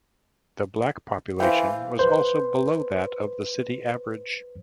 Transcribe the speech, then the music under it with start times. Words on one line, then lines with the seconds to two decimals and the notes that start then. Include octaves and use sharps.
The black population was also below that of the city average.
1.40 E3 C5 F5 G5
1.99 B4 C5